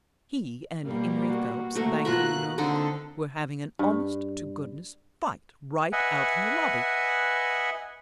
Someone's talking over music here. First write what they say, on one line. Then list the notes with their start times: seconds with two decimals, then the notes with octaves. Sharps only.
He and Emery Phelps, the banker, you know, were having an honest-to-goodness fight right out in the lobby.
0.87 B2 G3 A#3
1.28 F#4
1.75 F#3 A3 A#3
2.05 B2 F4 A#4 E5 F#6
2.58 D3 C4 D4 D#4 A4
3.79 G2
5.93 B4 D#5 E5 F#5 G#5